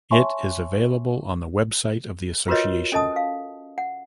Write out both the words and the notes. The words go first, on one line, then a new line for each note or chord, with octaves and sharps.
It is available on the website of the association.
C#5 E5 G#5 A5 C6 C#6
F4 F#4 A#4 B4 C#5 D#5
C#4 A4 D#5 A5 D#6
F5
F#5